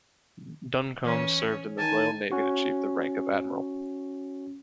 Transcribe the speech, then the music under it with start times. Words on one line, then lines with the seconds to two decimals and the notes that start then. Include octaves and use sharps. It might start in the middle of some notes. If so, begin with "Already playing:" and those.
Duncombe served in the Royal Navy and achieved the rank of Admiral.
1.04 E3 C#4
1.78 D#3 G#5 A5
2.32 C#4 F#4